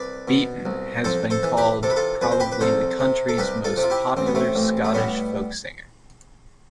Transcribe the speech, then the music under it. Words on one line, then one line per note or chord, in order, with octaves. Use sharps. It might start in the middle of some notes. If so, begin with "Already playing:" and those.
Beaton has been called probably the country's most popular Scottish folk singer.
Already playing: C2 B4 D5
B2
C2
F2 A4 C5
A4 C5
E3
G4 B4
C3 A4
B4
F4 A4
F2 B4
C5
G4 B4
B4
C2 A4 C5
C3
A4
C2 G4 B4
F4 A4
C3
F4
E4 G4
A1 C4
B3
A3 C4
A1
A3
A2 G3 B3